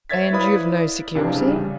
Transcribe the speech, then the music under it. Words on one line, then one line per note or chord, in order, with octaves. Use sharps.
"And you've no security?"
C5 C#5 E5 G#6 A6 B6
E4 B4 D5 F5 B5 D#6
F2 C3 E3 D4 F5
C#3 G3